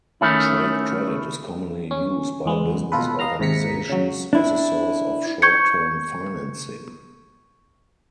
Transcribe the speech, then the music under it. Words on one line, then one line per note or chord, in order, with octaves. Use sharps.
Trade credit is commonly used by business organisations as a source of short-term financing.
D#3 A3 C#4 E4
C#4
E2 G#3 B3
B2 F4 A4 B4
D#5 F5 A#5 F6
D#2 G#2 C3 A#5 B6 C#7
C#3 F#3
D4 E4
C#6 G6 G#6 C#7